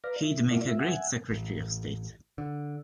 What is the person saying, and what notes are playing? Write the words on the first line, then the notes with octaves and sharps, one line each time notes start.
He'd make a great Secretary of State.
B4 D5 F5 A#5
E4
A#3 E4 F4 D5
F4 E5
E5 F#5 G#5
A1
D3